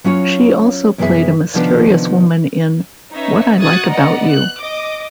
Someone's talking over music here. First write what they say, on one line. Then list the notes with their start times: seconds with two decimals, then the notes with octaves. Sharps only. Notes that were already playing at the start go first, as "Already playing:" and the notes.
She also played a mysterious woman in "What I Like About You".
0.04 F#3 C#4 F4 C#5
0.98 F#2 C3 E3 B3 G#4 E5
1.54 C3 D#3 F3 B3 D4
3.12 C#4 D#4 B4 C#5 E5
3.60 F#4 D#6 F#6 G#6 A6
3.90 B3 D5 D#5 F#5 A#5
4.28 F#6
4.60 D#5 D6